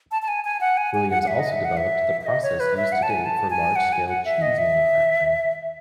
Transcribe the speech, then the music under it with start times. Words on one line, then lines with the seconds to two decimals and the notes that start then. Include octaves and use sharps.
Williams also developed the process used today for large-scale cheese manufacturing.
0.11 A5
0.22 A5
0.28 G#5
0.45 G#5
0.61 F#5
0.77 G#5
0.94 G#5
1.10 F#5
1.23 F#5
1.27 E5
1.39 D#5
1.52 E5
1.65 F#5
1.77 E5
2.21 E5
2.26 D#5
2.43 C#5
2.60 B4
2.77 E5
2.92 F#5
3.03 A5
3.10 G#5
3.26 A5
3.50 G#5
3.76 F#5
3.93 G#5
4.09 F#5
4.25 E5
4.42 D#5
4.58 E5